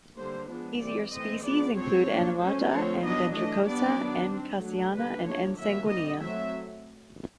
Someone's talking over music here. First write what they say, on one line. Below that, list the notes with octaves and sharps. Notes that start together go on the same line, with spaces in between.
Easier species include "N. alata", "N. ventricosa", "N. khasiana", and "N. sanguinea".
D3 G3 A#3 C5
F3 G#3 B3 D4
E3 G3 C4 D5
E3 A3 C4 D#5
F3 G#3 B3 D4 D5
F3 G#3 C4 C#5
F#3 A#3 D4
F#3 A3 C#4 C5
D3 F3 A3 C4 C#5
D#3 F#3 B3 D4 D#5
E3 A3 D4 D#5
G3 B3 D4 D5
D#3 F#3 B3 D4
G3 C4
F#3 A3 D4
D3 G3 A#3 D4 B4
F3 A#3 D4 C#5
D#3 F#3 A#3 C#4 E5
G3 C4 D#5
F#3 A3 C4 E5